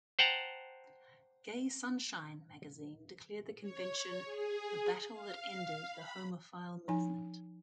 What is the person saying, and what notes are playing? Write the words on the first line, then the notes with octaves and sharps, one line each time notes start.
"Gay Sunshine" magazine declared the convention "the battle that ended the homophile movement".
C5 F#5 G5 A5 A#5
C#5
G#4
F5
B5
F3 D#4 G#5